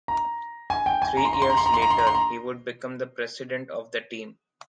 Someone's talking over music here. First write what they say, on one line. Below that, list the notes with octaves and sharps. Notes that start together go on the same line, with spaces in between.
Three years later he would become the president of the team.
A#5
G#5
G5
G#5
A#5
C6
A#5
C6
A#5
C6
A#5
C6
A#5
C6
A#5
C6
A#5